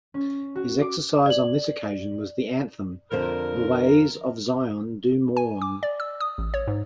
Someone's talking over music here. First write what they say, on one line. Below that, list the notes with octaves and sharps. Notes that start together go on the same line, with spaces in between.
His exercise on this occasion was the anthem, 'The ways of Zion do mourn.
C#4
F#4
D6
D5 F#7
F2 D3 A#4 C5
G#5
D6
D5
E6
D#6
A1
C#5
G#2